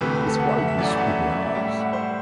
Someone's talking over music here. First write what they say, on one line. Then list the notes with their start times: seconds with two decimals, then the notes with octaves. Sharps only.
It’s quite the spooky house.
0.01 D2 C3 E3 A3 B4
0.14 B4
0.27 A4
0.39 F#5
0.49 E5
0.58 F#5
0.68 E5
0.78 F#2 E3 A3 D5
0.88 E5
0.97 F#5
1.07 E5
1.30 E5
1.42 D5
1.55 A2 G3 E5
1.68 E5
1.81 F#5
1.93 C5